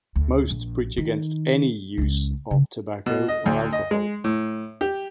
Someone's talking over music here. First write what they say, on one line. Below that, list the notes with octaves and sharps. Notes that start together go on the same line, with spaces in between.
Most preach against any use of tobacco or alcohol.
D2
A#1
D#3
C#2 C#4
C#3
B2
D#5
D2
D#5
G#3
A2
G4